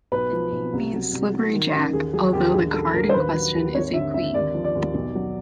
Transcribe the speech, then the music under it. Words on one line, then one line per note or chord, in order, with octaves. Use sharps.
The name means "Slippery Jack", though the card in question is a Queen.
B1 B4
F3
B1
C2
F#3
C2
F#3
D#3
A1
D#2 G#4
F#3 G#4
D#2 G4
A#1 G#4
F#3 A4
A#1 A#4
C5
D#2 B4
F#3
D#2
G#1 C#5
D3 E5
G#1 E5
D#2 D5
F3
D5
D#2
B1
F#3